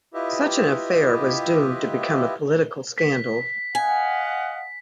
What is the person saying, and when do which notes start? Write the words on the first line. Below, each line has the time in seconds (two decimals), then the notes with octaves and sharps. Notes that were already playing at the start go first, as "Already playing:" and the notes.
Such an affair was doomed to become a political scandal.
0.14 E4 F4 G4 B4 D#5 E5
2.98 B6
3.75 D#5 F5 F#5 G#5